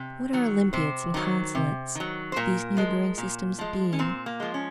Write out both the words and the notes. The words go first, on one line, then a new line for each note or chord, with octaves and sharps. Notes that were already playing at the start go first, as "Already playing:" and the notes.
What are Olympiads and Consulates to these neighboring systems of being?
Already playing: C3
D#3 F#3
C3 C5
D#3 F#3
C3
D#3 F#3
C5
A#2 A#4
F3 G#3
A#2
F3 G#3
C#4
A#2 C4
A#3
F3 G#3
C#4